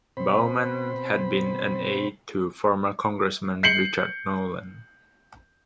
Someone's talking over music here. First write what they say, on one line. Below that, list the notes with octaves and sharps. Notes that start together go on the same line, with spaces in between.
Baumann had been an aide to former congressman Richard Nolan.
B2 C4 C5 B5
G6 C7 C#7 F#7